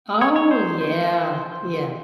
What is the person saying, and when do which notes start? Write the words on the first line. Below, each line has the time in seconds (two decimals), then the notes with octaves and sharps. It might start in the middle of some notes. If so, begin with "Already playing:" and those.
Oh, yeah. Yeah.
0.21 C#5
0.36 C#5
0.51 C5
0.81 C5